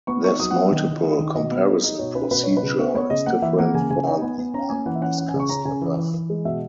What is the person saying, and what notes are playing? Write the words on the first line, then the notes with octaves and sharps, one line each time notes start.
This multiple comparison procedure is different for the one discussed above.
B3 C#6
D#4 C#6
F#3 D#6
B3 F#5
E5
D#3
D#3
D#3
D#3
B2 D#5
B3
D#4
D#4
B2 C#5
C#4 B4
B2 B4
B2 C#5
B4
C#3
B3
B3 C#5
C#3 D#5
A#3 F#5
E3 E5
A#3 F#5
C#3 G#5
C#3 G#5
D#4
B3
B3
C#4 A#5
A#3 G#5
E3 F#5
E5
C#4 F#5
C#4 F#5
G#5
C#3
C#6
C#4 A#5
C#3 G#5
E3
E3
E3
G#3
B2 E5